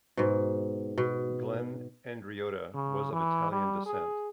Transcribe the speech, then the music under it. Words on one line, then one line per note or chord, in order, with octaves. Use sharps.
Glenn Andreotta was of Italian descent.
G#2 B2
B2
C#3
E3
G3
G#4